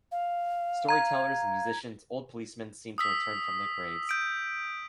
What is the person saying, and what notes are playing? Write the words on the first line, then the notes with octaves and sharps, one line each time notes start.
Storytellers, musicians, old policemen seem to return from their graves.
F5
A#5 G#6
D#6 E6 B6
G6 D7